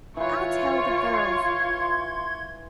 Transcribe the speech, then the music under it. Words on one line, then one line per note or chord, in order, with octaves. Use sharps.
I'll tell the girls.
E3 F4 B4 C#5 F5 C#6
C6 G#6